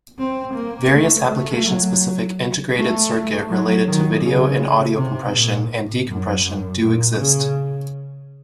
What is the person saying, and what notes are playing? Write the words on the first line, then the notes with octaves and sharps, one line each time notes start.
Various application-specific integrated circuit related to video and audio compression and decompression do exist.
C4
A#3
A3
A3
F#3
A3
F#3
D#3
C#3
C3
A#2
A2
F#2
F#2
A#2
C#3